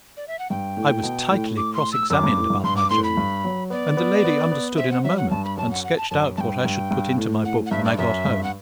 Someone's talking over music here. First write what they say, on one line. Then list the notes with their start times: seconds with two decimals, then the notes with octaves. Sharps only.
I was tightly cross-examined about my journey; and the lady understood in a moment, and sketched out what I should put into my book when I got home.
0.17 D5
0.28 E5
0.39 F#5
0.50 G2 G5
0.77 A2
1.03 B2
1.30 A2
1.57 D6
1.74 C6
1.93 E6
2.10 F#2 D6 E6
2.24 G2
2.37 A2
2.50 G2
2.64 G2 C6
2.77 D6
2.90 A2 C6
3.04 B5
3.17 G2
3.44 F#3
3.70 B3 D5
3.97 B3
4.24 B3
4.51 B3
4.77 C4 E5
4.91 F#5
5.04 F#3 E5
5.17 F#5
5.30 G2 A5
5.45 B5
5.57 F#2 A5
5.71 F#5
5.84 F#5
5.97 A5
6.10 F#2 A5
6.37 G2 G5 A5
6.65 G2
6.91 G2
7.18 A2
7.45 A2 F#5
7.66 F#5
7.71 G2 E5
7.85 D5
7.98 F#2 E5
8.25 G2
8.44 F#5